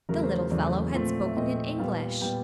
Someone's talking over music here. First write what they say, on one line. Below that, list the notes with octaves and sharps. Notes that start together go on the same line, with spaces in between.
The little fellow had spoken in English.
E2 C#3 F#3 A3 A#4
C5
C#5
E2 C#3 F#3 A3 D5
A#2 F3 A3 C4
E5
A#2 F3 A3 C4 D#5
A#2 G3 B3 F5
A#2 G3 B3 G5